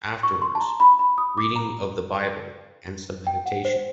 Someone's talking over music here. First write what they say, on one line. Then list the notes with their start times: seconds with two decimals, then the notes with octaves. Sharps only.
Afterwards, reading of the Bible and some meditation.
0.23 C#6
0.42 C6
0.55 A5
0.61 A#5
0.80 B5
0.99 B5
1.18 D#6
1.38 D6
1.56 A#5
3.27 G5
3.46 F#5
3.65 C5